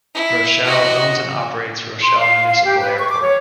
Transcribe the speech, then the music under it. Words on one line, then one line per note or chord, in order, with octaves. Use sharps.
Rochelle owns and operates Rochelle Municipal Airport.
E4
F#4 D#5
C6
F5
F5
G4
B4
C#6
D6
C#5